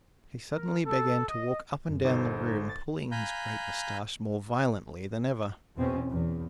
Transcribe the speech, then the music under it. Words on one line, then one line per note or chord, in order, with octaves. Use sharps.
He suddenly began to walk up and down the room, pulling his great mustache more violently than ever.
A#4
A4
D#5
F#2
G1 D#4 A4 C5
A6
F5 G#5 A#5 B5 F#6 G6
E2 B2 C4 C#4
E2